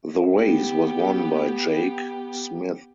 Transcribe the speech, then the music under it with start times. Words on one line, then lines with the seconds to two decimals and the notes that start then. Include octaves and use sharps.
The race was won by Jake Smith.
0.37 B3 G4